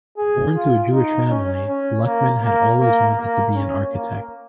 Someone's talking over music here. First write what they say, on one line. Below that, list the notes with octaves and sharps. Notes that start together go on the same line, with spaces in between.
Born to a Jewish family, Luckman had always wanted to be an architect.
G#4
F4
D#4
C#4
C#4
A#3
A#3
A#3
A#3
C#4
A#3